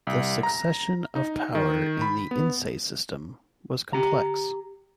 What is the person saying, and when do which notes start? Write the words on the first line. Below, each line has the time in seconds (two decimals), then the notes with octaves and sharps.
The succession of power in the "Insei" system was complex.
0.07 C2
0.43 A#5
1.15 D#4
1.55 D#3
2.02 B5
2.31 B3
3.93 G4 A#5